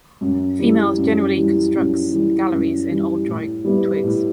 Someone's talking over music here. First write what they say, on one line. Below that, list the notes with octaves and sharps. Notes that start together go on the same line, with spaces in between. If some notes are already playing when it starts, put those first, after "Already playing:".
Females generally constructs galleries in old dry twigs.
F#2
E3 G3
F#2
E3 G3
F#2
E3 G3
F#2
E3 G3
A2
G3 B3 E4
A2